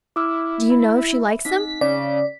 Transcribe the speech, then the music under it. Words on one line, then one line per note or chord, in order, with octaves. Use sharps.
"Do you know if she likes them?"
E4 D6 E6 F6
E5 B5
C4 D#4 B6
C#3 D5 B6